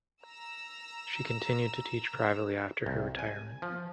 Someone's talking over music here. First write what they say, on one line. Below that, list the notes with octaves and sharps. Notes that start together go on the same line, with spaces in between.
She continued to teach privately after her retirement.
A#5 E6
C2
G#5
F3